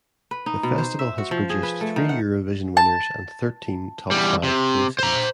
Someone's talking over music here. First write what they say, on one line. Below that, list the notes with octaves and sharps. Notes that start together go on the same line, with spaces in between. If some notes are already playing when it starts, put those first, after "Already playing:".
The festival has produced three Eurovision winners and thirteen top-five placings.
B4
D#4
B2
C5
E5
F#4
F3
G#4
B4
A3
D#3
F#5
A5
E2 G3
C3
C5 A#5